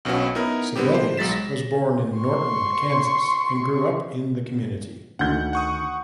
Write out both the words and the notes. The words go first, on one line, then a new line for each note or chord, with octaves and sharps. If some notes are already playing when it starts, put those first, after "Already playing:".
Sebelius was born in Norton, Kansas, and grew up in the community.
B1 B2 C4 C#4 F#4
B3 D#4 E4 A#4
D3 G3 B3 C4 G4
C5
B1 F#3 G#3 A6 B6 E7
A#6
C6 C#6
D2 D#3 F#5 G6
F#5 C#6 D#6